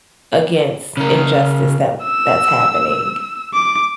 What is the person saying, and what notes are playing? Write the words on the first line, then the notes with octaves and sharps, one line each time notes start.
against injustice that that's happening?
C#3 A#4
E6
D6